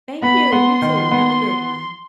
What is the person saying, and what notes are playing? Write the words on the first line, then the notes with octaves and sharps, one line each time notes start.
Thank you! You too. Have a good one.
B3 B5
B3 C6
D#3
B3